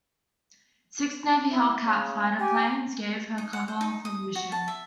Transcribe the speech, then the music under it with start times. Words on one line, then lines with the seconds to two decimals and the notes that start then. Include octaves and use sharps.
Six Navy Hellcat fighter planes gave her cover for the mission.
1.50 E4
1.85 C#3
2.39 G4 G#5
3.38 D#4
3.53 F#5
3.68 C5
3.81 D#4
4.05 D#6
4.35 F#4
4.52 A5
4.68 E5